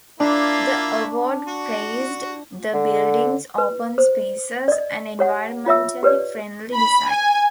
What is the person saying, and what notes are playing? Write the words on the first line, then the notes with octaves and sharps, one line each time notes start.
The award praised the buildings open spaces and environmentally friendly design.
A#3 D4 E4 F4
F#4
D3
B4
C5
D5 D#5
G4 C#5 F#5
F4 C#5 E5 E6
G4 B4 C#5 D5
B5
G#5